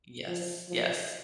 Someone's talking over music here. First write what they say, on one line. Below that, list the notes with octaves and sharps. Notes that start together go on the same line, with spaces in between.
Yes, yes.
F3
F3